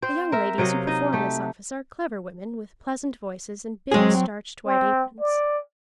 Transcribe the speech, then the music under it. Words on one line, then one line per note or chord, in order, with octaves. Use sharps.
The young ladies who perform this office are clever women with pleasant voices and big, starched, white aprons.
C4 C5
A#4 E5
C3 F#3 D#5 F5
D#4 D#5
A3 G4
F#3 G#3 C4 G#4
C4
D5